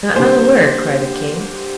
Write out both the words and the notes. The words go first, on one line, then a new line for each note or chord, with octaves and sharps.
"Not another word!" cried the king.
D3 G3 A#3 C5